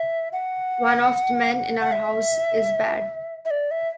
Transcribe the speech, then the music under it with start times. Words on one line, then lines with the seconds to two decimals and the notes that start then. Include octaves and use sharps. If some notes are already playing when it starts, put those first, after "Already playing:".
One of the men in our house is bad.
Already playing: E5
0.33 F#5
1.80 F#5
1.92 E5
3.45 E5
3.51 D5
3.71 E5